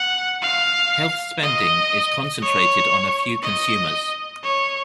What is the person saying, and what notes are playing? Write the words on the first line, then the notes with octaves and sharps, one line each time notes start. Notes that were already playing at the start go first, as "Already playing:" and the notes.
Health spending is concentrated on a few consumers.
Already playing: F#5
F5
D#5
C#5
D#5
C#5